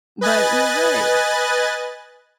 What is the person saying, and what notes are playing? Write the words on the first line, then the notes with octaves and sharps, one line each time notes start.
But you're right.
B4 D#5 G#5 F#6 A6